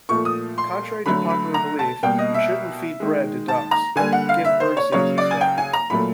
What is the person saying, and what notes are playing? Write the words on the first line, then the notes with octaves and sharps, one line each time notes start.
Contrary to popular belief, you shouldn't feed bread to ducks. Give birdseeds instead.
A#2 F3 A3 C#6
D#6
C6
D3 F#3 A3 B5
B5
A#5
A5
B2 G3 A#3 G5
D#5
E5
D#3 G#3
A5
A#5
D3 G3 A#3 G#5
F#5
F5
E5
C5
C#5
C#3 F#3 A#3 C#5
D5
G#5
G5
G#5
A#5
A#2 F#3 A3 B5